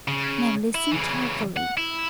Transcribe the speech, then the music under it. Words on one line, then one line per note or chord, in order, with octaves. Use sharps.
Now, listen carefully.
C#3
E4
C#3 E3
F#5
E4